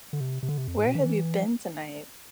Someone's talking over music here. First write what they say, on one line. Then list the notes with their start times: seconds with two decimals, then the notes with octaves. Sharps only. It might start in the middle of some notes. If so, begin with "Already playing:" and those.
Where Have You Been Tonight?
0.13 D3
0.20 C3
0.43 C3
0.49 D3
0.58 C3
0.67 F2
0.77 G#2
0.87 B2
0.95 E3
1.00 D3
1.06 E3
1.34 F3